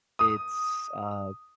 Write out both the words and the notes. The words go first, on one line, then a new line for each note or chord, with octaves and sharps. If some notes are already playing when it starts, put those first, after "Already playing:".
it's, uh
D#6